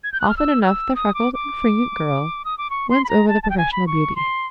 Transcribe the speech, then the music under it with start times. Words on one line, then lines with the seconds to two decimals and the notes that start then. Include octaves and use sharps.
Often enough the freckled and fringrant girl wins over the professional beauty.
0.04 G#6
0.12 G6
0.20 F#6
0.29 F6
0.37 E6
0.62 F6
0.66 E6
0.95 D#6
1.14 D6
1.34 D6
2.45 D#6
2.58 D6
2.70 C#6
2.90 C6
3.04 B5
3.09 A#5
3.28 A5
3.43 A5
3.50 G5
3.58 G#5
3.72 B5
3.87 C#6
4.16 C6